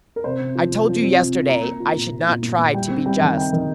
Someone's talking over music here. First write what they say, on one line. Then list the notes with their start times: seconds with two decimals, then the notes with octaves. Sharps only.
I told you yesterday I should not try to be just.
0.16 A#4
0.24 C3 C5
0.40 C3
0.55 F3
0.72 C3
0.87 F3
1.02 C4
1.18 C3
1.33 C4
1.49 A#3 A#5
1.65 A#3
1.80 F4
1.96 A#2
2.12 A#3
2.27 A#2
2.42 A#2
2.59 A#2
2.74 G3 G5
2.90 C4
3.06 G3 G5
3.21 D#3
3.36 C4 G5
3.53 D#3